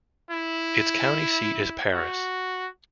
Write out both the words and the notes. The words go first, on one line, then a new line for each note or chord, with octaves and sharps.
Its county seat is Paris.
E4
F#4